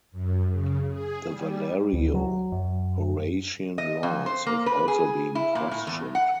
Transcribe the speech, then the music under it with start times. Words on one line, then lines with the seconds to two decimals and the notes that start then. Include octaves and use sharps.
The Valerio-Horatian Laws have also been questioned.
0.12 F#2
0.51 C#3
0.91 G#4
1.25 G3
1.93 D2
2.14 F#3
2.52 F#2
3.78 D#5
4.03 F2
4.26 C5
4.46 A#3
4.66 B4
4.88 G#4
5.35 E4
5.55 A#2
5.71 A2
5.87 E2
6.15 F#5